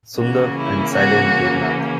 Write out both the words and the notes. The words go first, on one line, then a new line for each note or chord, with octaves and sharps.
Sunder and Sailen Debnath.
C#3 E3 A#3 C#4 F#4
E4
F#4